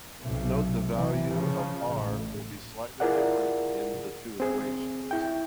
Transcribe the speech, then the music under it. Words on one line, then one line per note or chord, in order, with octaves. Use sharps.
Note the value of r will be slightly different in the two equations.
B1 C3
C3 E3
C#3 F3
A1
E4 F4 G#4 A#4 D5 F#5
C4 G#4
E4 G5